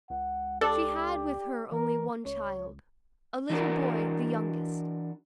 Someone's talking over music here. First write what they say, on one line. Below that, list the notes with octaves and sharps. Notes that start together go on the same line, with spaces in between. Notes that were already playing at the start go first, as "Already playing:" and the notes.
She had with her only one child, a little boy, the youngest.
C#2 F#5
D4 G4 A4
E3 A#4
C#2 C#5
E3 D4 F#4 A#4